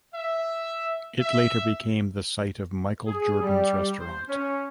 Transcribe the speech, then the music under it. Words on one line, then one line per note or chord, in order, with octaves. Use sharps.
It later became the site of Michael Jordan's Restaurant.
E5
E5
G#4
G3
C5
C#4